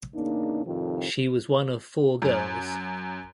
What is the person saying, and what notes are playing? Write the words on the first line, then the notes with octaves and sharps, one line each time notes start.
She was one of four girls.
E2 C#3 A#3 D4 D#4
F2 A2 C3 D#3 F3
F#2